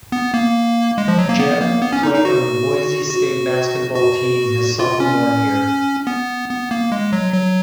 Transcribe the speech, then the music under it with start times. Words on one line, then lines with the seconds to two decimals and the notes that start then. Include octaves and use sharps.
Jeb played on the Boise State basketball team his sophomore year.
0.12 B3
0.34 A#3
0.98 G#3
1.08 F3
1.18 F#3
1.29 A#3
1.40 B3
1.61 A#3
1.82 B3
1.93 C#4
2.03 D#4
2.14 D#4
2.25 F#4
3.10 F#4
3.95 F#4
4.79 F4
5.00 C#4
6.07 B3
6.49 B3
6.71 A#3
6.92 G#3
7.12 F#3
7.34 F#3